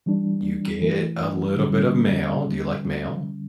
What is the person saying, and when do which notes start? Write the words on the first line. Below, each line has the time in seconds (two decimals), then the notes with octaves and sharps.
You get a little bit of mayo. Do you like mayo?
0.06 E3 G3 D4
0.81 E3 A3 E4
1.57 D3 G3 C#4